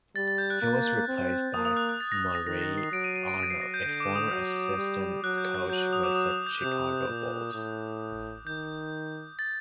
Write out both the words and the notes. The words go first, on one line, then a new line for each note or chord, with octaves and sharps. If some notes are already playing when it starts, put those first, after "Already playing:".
He was replaced by Murray Arnold, a former assistant coach with the Chicago Bulls.
G3 A6
A6
G6
F#6
A#3 F#6
C4
A#3 D#6
D#6
F#6
F#6
A6
A#6
A#6
D#3 A#6
A#6
C7
F#3 D7
D#7
D#7
D7
F#3 D7
C7
A#6
G6
D3 G6
D6
D#6
F#3
G3
F#3 F#6
G6
F#6
F#3 G6
G6
D#6
D6
D#6
D#6
G6
C3 G6
A#2
A2
D#3 G6
A6